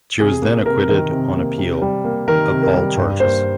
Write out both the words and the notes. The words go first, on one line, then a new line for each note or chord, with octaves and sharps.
She was then acquitted on appeal of all charges.
C3 G#4
A#3
C3 A#4
D#3 A#4
C3
A#3
C3
G3
A#3
D#3 A#4
C3
A#4
G3
G2
A#3 C5